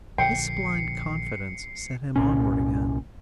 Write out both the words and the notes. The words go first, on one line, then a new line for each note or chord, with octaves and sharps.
This blind confidence set him onwards again.
A#1 D3 G5 C7 C#7
C2 A#2 C#4